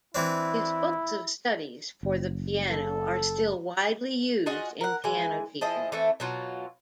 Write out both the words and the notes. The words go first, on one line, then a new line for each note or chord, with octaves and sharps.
His books of studies for the piano are still widely used in piano teaching.
E3 C4 D4 E4
F#1
A4
F4 F#4 G#4 D#5
A#4 F#5
E3 G#3 G#5
F3 E4 G#4 D#5
E3 A3 C4
B2 F#3 F4